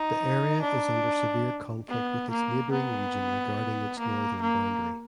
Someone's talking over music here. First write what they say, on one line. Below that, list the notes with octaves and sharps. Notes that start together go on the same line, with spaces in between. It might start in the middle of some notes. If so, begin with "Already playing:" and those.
The area is under severe conflict with its neighbouring region regarding its northern boundary.
Already playing: D#4
D4
B3
A#3
B3
A#3
A#3